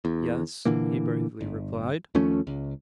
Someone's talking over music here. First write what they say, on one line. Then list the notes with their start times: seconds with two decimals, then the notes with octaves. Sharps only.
"Yes," he bravely replied.
0.05 E2
0.65 A#2 D3 E3 A#3
1.41 G1
2.15 D#2 F3 A3 C#4
2.47 C#2